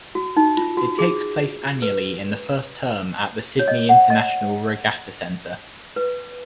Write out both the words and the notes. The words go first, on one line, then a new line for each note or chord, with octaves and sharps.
It takes place annually in the first term at the Sydney International Regatta Centre.
F#4
D#4
F4
F#4
G#4
B4
C#5
D#5
F#5
D#5
B4